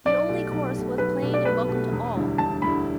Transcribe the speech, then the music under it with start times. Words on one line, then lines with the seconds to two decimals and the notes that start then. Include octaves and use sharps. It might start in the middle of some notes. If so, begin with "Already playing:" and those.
The only course was plain and welcome to all.
0.06 B1 D5
0.28 B2 A3 G4
0.52 B1
0.75 B2 A3 G4
0.98 B1 B4
1.22 B2 A3 G4
1.34 D5
1.45 B1 B4
1.68 B2 A3 G4
1.92 E1
2.15 D2 D3 G3 E4
2.38 E1 A5
2.61 D2 D3 G3 E4 B5